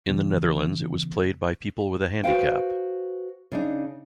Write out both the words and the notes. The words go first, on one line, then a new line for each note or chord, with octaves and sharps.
In the Netherlands it was played by people with a handicap.
C#3 E3 B3
F#4 B4 C5 F5 G5
C#3 D4 D#4